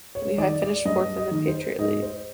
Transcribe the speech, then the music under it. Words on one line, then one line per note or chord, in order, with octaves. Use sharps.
Lehigh finished fourth in the Patriot League.
C#5
D#3 D5
D5
G2 D#5
D#5
D#3
C5
G#2 D#5
C5